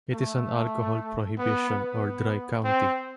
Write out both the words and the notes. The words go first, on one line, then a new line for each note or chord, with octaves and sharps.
It is an alcohol prohibition or dry county.
A3
B3
B3
C4